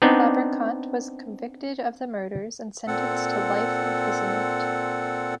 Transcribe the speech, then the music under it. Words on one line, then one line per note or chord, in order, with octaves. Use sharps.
Fabrikant was convicted of the murders and sentenced to life imprisonment.
B3 C4 D4 D#4 D5
A#2 C4 A4 F#5